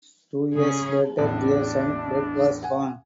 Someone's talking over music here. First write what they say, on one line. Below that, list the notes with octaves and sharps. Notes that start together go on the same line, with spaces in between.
Two years later their son Bret was born.
C#3 C#4 G#4
A1 E2 A2 D4
F#5 G#5